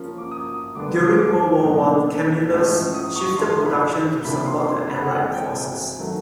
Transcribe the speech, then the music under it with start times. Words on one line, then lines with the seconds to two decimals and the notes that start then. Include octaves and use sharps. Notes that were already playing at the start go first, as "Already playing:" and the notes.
During World War One, Camillus shifted production to support the Allied forces.
Already playing: F3 A#3 C#4
0.18 D6
0.31 D#6
0.75 D3 G3 B3 D4 D6
1.19 D6
1.63 B2 F#3 A#3 D4
2.50 A2 F3 G#3 C#4
2.94 D#6
3.16 C#6
3.37 F3 A3 D4 C6
3.52 C6
3.66 B5
4.24 C3 F3 A#3 D4 B5
4.46 C6
4.68 C6
4.90 B5
5.01 F#5
5.12 E3 G#3 C4 F#5
5.33 G5
5.45 G#5
5.55 G5
5.99 D#3 F#3 A3